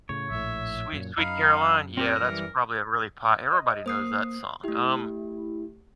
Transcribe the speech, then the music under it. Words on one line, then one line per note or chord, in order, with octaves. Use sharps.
Sweet Sweet Caroline, yeah, that's probably a really pot everybody knows that song, um,
A2 C#3 C#5
A#1 A2 E5
F#2 A#2
F#2 D#4 D#5 F5 B5
C4 G4 A#4 D5
E3 G3
D#5
A#3 C5 D#6 C7
A3 E4 G4